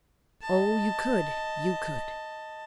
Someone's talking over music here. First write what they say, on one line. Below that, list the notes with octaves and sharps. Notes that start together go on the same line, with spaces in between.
"Oh, you could--you could."
D#5 A5